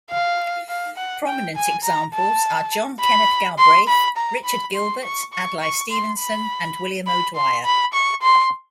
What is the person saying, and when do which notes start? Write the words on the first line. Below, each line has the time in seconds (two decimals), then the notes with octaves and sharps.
Prominent examples are John Kenneth Galbraith, Richard Gilbert, Adlai Stevenson, and William O'Dwyer.
0.10 F5
0.69 F5
0.97 F#5
1.27 G5
1.56 G#5
1.84 A#5
2.14 A5
3.00 B5
3.59 C6
3.88 B5
4.17 A#5
4.45 B5
4.75 C6
5.03 C#6
5.33 C#6
5.61 C#6
5.90 C6
6.20 B5
7.07 B5
7.36 C6
7.65 B5
7.94 C#6
8.22 C6